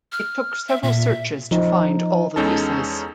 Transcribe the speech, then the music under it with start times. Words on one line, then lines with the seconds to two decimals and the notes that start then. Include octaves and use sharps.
It took several searches to find all the pieces.
0.12 F6
0.68 E5
0.83 A#2 E5
1.51 F3 D#4
2.36 E2 G#3 C#4 D#4 A4 A5